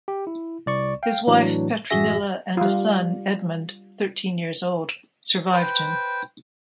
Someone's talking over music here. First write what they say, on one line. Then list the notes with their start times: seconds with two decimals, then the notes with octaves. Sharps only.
His wife Petronilla and a son, Edmund, thirteen years old, survived him.
0.08 G4
0.27 E4
0.66 C2 D5 C#6
1.03 F5 G5
1.27 A2 E3 F#3 D4
1.90 A1 F#2 F#4 G#4 E5 A#6
2.57 G3 F4
5.52 B4 C5 G5